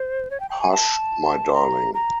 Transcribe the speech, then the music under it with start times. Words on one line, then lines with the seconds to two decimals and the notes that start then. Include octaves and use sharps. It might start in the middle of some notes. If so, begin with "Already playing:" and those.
Hush, my darling!
Already playing: C5
0.30 C#5
0.40 G5
0.51 G5
0.61 G#5
0.71 A5
1.54 A#5
1.94 A#5